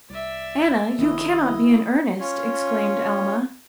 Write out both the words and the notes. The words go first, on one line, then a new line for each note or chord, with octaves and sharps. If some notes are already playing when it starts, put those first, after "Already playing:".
"Anna, you cannot be in earnest!" exclaimed Alma.
C2 D5 E5
F1 D#3 E4 D#5
C#4 F4 C#5